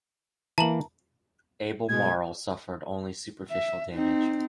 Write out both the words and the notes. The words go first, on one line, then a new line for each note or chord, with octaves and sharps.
"Albemarle" suffered only superficial damage.
E3 A#3 A5 A#5 F#7
B2 G#3 G#6
E5
C4 D#4